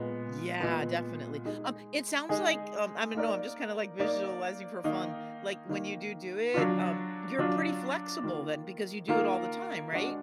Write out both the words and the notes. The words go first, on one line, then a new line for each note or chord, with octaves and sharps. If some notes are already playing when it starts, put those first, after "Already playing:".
Yeah, definitely, um, it sounds like, um, I don't know I'm just kinda, like, visualizing for fun. Like, when you do do it, um you're pretty flexible then because you do it all the time, right?
Already playing: A#2 G#3 B3
A#2 G#3 B3
G#3 D#4 G#4
G#3 D#4 G#4
A#3 D#4 A#4 D5
A#3 D#4 A#4 D5
D#3 A#3 D#4
D#3 A#3 D#4
F#3 D4 F4
F#3 D4 F4
D#3 A#3 F4 A#4
D#3 A#3 F4 A#4
G#3 D4 F#4